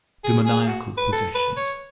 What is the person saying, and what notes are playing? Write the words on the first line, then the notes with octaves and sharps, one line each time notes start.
Demoniacal possessions.
G#4
G#4
F#4
B4
A4
B4
C#5